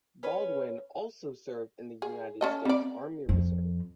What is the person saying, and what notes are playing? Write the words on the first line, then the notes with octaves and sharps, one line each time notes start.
Baldwin also served in the United States Army Reserve.
C#4 B4 C#5
G#4
C#4 A4 D#5
G3 C4 D5
F2